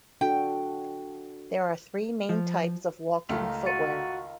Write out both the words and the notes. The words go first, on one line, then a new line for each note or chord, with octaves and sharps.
There are three main types of walking footwear.
D4 F#4 A4 G5
F3
C#2 D#3 A3 F4
F#4 A6 C#7 D#7